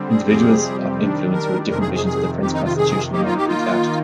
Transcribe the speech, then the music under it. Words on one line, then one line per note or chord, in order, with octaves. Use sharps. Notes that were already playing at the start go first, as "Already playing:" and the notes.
Individuals of influence who had different visions of the French constitutional monarchy clashed.
Already playing: D3 G3 C4
G#4
F2 C3 G3 C4 G4 G#4
D#3 G3 D4
A#4
F2 C3 D#3 A#4
G#4
G#4
G#4
F2 C3 D#3 G4
D#4
F4
G#4
D#3 A#3 D#4 G4
F4
G4
F4